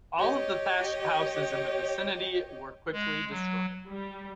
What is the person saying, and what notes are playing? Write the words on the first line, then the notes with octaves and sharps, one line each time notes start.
All of the thatched houses in the vicinity were quickly destroyed.
G4 C#5 D#5 G5
G#3
F#3
G3